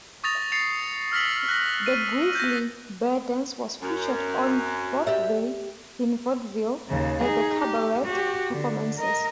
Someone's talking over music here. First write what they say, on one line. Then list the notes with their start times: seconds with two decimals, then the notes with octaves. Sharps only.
The Grizzly Bear dance was featured "on Broadway, in vaudeville, and at cabaret performances".
0.24 C#6 D#6 A6 A#6 F7
0.52 A6 C7 C#7 F7
1.12 E6 F6 A#6 B6 F#7
1.49 F#6 A#6
1.86 D#7
2.35 G6 A#6
3.82 F#2
5.07 G4 D5 E5
6.89 D#2 C#3
7.21 D#4 G#4
7.60 G4
8.05 F#4 G4
8.51 D3
8.99 A#4 D#5